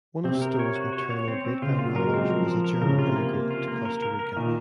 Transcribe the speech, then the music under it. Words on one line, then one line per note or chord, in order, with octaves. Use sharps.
One of Stowe's maternal great-grandfathers was a German immigrant to Costa Rica.
C3 C4
A#4
C#5
F#4
C#5
C#5
C4
C4
C#3 F4
A#2
F4
F#3
A#3 A#4
G#3
C4
F#3
F3 A#4
F3
A#4
C#3 A#4
C3 F4
A#3
A#3
F4
A#3
A#4
A#4
A#4
A#2 D#3